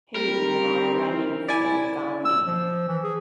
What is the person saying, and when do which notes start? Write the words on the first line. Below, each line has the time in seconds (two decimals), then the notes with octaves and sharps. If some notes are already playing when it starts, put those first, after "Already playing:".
He is now running for governor.
0.16 G3 C4 A#4
1.48 E4 D5 G#5
2.25 E6
2.47 F3
2.88 E3
3.04 G#4